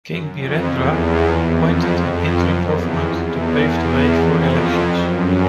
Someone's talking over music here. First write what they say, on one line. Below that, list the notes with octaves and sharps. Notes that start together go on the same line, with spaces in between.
King Birendra appointed an interim government to pave the way for elections.
F#2
F2
E2
F2
F2
F2
F2
F#2
E2
F2
E2
E2
F2
F2
F#2